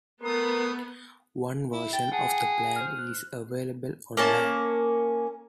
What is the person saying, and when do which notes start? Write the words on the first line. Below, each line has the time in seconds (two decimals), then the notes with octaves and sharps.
One version of the plan is available online.
0.23 A3 B3 A#4 C6 D#6
1.73 E4
1.93 G5 A6
2.12 G#4 F#5 G5 A5
2.76 C5 F6
2.99 F#6
4.17 A#3 C#4 A5